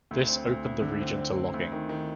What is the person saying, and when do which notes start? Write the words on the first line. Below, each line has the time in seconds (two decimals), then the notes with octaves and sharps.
This opened the region to logging.
0.11 D2
0.29 C4
0.46 D2
0.64 D2
0.82 D3
1.00 C4
1.18 C4
1.36 C4
1.54 D2
1.72 D#3
1.89 D#3